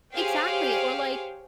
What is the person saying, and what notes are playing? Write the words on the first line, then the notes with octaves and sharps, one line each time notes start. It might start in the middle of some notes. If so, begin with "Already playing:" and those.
Exactly, or, like
G4 G#4 C5 C#5 F5 G5